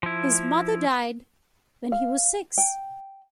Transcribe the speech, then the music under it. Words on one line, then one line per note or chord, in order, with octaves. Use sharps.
His mother died when he was six.
F3 E4
F5
G5